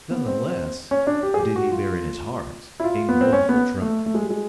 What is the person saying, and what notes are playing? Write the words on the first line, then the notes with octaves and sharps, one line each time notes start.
None the less did he bear in his heart a mournful tremor.
B3
C4
C#4
D4
G4
G#4
G4
F#4
F4
E4
F4
B3
C4
C#4
B3
A3
A3
G#3
G3
G#3